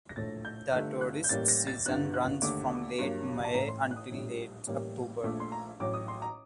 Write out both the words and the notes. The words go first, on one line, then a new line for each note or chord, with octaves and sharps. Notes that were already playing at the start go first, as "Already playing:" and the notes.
The tourist season runs from late May until late October.
A#6
A#1 A2 A3 A6
G6
G1 G2 D3 A3 F#6
F#6
G6
A1 A2 G3 A#3 A6
A#6
A6
G1 G2 D3 F#6
F#6
D#2 D3 A3 D6
G2 F#3 A#3
A5
A1 A2 A3 A#5
C6
F#6
D#6
A#1 A2 G3
A1 A2 G3 A#3
A#1 A#2 A3 D6
C6
A#5
A1 A2 F#3 D6
D#6
C6
A#5